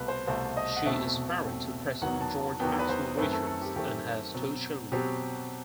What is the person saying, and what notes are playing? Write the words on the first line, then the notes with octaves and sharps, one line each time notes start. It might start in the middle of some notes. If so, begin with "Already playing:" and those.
She is married to President George Maxwell Richards and has two children.
Already playing: C2 B2 A3 B4
C5
C2 B2 A3 C5
D#5
F#5
E2 B2 A3 C4 E5
E2 B2 A3 C4
E2 D#3 F#3 B3 F#5
A5
A5
E2 D#3 F#3 B3 G5
B4
C5
F#2 D#3 A3 C4 B4
A4
A4
G4
F#2 D#3 A3 C4 G4
B2 F#3 C4
B2 F#3 C4 G4